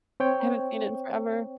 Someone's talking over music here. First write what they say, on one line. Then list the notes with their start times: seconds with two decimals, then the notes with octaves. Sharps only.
I haven't seen it in forever.
0.20 C4 C5 C#5 G5